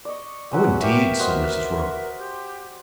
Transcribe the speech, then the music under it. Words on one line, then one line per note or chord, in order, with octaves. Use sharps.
"Oh, indeed!" said Mrs. Roper.
D5 D#5 C#6
F#3 G#3 F#4 B4 G5
G4 A#4 B4 C#5 E5
F#4 C5 D#5
G4